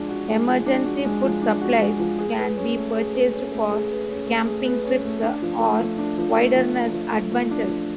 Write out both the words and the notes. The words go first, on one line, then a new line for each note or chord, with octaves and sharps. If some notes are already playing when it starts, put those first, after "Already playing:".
Emergency food supplies can be purchased for camping trips or wilderness adventures.
Already playing: F3 G#3 D4
F#4
G#3
F3
D4
F#4
G#3
F3
D4
F#4
G#3
F3
G#4
B4
C#4
A3
G#4
B4
C#4
A3
G#4
B4
C#4
A3
G#4
B4
C#4
A3
D4
F3
A3
F3
D4
F3
A3
F3
D4
F3
A3
F3
D4
F3